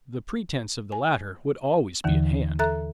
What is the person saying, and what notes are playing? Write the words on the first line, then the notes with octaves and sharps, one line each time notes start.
The pretense of the latter would always be at hand.
G#5
D#2 D3 E3
A4 E5 A#5 F#6